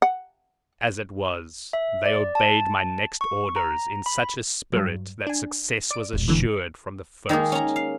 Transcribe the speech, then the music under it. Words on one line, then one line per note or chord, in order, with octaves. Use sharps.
As it was, they obeyed my next orders in such a spirit that success was assured from the first.
F#5
E5
D5
A5
C#6
A#5
B5
G2 F#3
D4 G#5
D5 D7
E1 A#1
A#2 D3 E3
D#3 G#3 A#3 G#4
C#4 A#5
F5